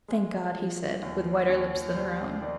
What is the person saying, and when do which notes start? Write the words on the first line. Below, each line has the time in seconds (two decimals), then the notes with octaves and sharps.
"Thank God," he said, with whiter lips than her own.
0.08 G#3
0.55 F3
1.02 D#2
1.49 D#2 C#5
1.95 G3 C5
2.41 D#3 D5